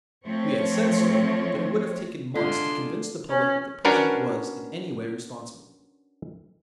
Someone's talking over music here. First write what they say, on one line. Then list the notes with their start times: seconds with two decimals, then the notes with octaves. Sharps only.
We had said so but it would have taken months to convince the public that the President was in any way responsible.
0.25 F3 A3 C4 C5 C#5
2.35 D3 G#3 D4 F4 C6
3.30 C#4
3.85 C#4 D4 F#4 A#4 B4 C#5